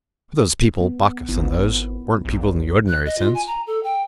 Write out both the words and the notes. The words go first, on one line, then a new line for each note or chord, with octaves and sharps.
But those people, Bacchus and those, weren't people in the ordinary sense.
B3
G#1 B3 E4
A#1
F#6
D#5
F4
G#5
A#5
A4
G5